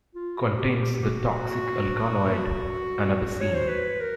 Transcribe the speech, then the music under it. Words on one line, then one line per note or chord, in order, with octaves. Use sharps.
Contains the toxic alkaloid anabasine.
F4
F#4
G4
G4
F#4
C#5
C5
B4
A#4